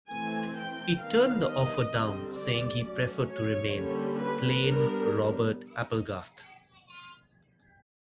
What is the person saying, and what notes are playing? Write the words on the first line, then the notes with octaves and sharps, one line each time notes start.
He turned the offer down, saying he preferred to remain "plain Robert Applegarth".
E3 A3 C4 G#5
G5
D#3 G3 B3 D4 F5
D#5
D3 G3 C4
D5
F#3 A3 C#4
C#5
D3 G3 A#3 C#4
B4
G3 B3 D4 A#4